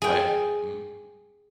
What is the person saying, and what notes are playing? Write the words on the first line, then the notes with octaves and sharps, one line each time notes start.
Right. Mhm.
G#4 G5